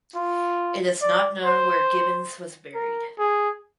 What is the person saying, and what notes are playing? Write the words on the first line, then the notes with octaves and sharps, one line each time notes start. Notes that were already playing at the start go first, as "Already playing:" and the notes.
It is not known where Gibbons was buried.
F4
D5
C5
A#4
G#4